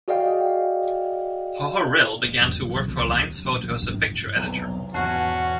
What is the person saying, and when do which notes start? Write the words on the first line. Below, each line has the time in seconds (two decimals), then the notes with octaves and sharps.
Pohorylle began to work for Alliance Photo as a picture editor.
0.08 F#4 G#4 D5 D#5 F5 G5
2.24 G#2
2.41 E1
2.55 A2
2.69 B1
2.88 C#2
3.09 D#2
3.45 A#1
3.64 A#1
3.82 G2
3.94 E4
4.36 B1 E2 C3
4.94 E2 G#2 B2 C#4 F#4 A5 F#6 C7